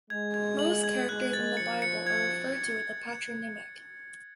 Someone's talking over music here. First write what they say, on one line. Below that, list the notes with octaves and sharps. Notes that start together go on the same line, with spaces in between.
Most characters in the Bible are referred to with a patronymic.
G#3 G#6
G#6
F#7
G#6
G#3 F#6
A6
F3 C#7
C#7
G#6